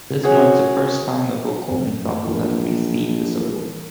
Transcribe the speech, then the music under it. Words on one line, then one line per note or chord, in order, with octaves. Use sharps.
This marks the first time a vocal ensemble has received this award.
C#4 F#4 G#4
F#2
A#1 E3 A#4